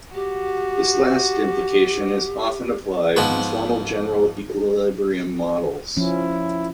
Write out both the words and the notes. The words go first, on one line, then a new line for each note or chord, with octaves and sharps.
This last implication is often applied in formal general equilibrium models.
F#4 G4
G#2 F3 B3 B4
F3 C#4 E4